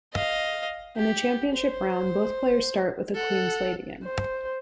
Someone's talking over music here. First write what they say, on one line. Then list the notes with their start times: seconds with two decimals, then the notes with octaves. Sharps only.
In the championship round, both players start with a clean slate again.
0.14 D#5 F5
0.96 G4
1.55 C5
3.14 A4 F#5
4.03 C5